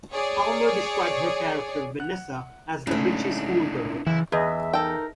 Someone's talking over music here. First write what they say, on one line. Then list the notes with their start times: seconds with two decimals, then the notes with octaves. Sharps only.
Palmer described her character, Vanessa, as "the bitchy schoolgirl".
0.12 G#4 C#5 D5
2.00 F#5 F#6
2.87 G#2 C#3 A3 C#4 D4 E4
4.07 F#1 E3 E4
4.32 E2 G#4 B4 D#5 E5
4.73 D#4 A4 A#4 G5